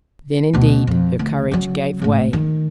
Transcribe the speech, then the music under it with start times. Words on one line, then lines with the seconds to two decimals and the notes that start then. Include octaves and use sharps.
Then, indeed, her courage gave way.
0.53 D2 B2
0.87 F2
1.19 D2
1.51 C#3 F#3
2.02 G#1 A2
2.33 D#3